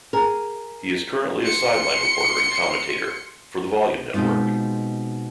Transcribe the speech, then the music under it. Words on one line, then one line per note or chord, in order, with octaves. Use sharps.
He is currently a sideline reporter and commentator for the Volume Network.
G#4 A#4
C6 C#7
B2 G#3 C4 D#4 F4